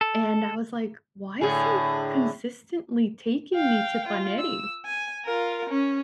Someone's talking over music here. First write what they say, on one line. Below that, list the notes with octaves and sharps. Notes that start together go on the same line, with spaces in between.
and I was like, "Why is he consistently taking me to Paneri?"
A4
A2 D3 G#4
F5 G5
F4
E6
G#5
F4 A#4
C#4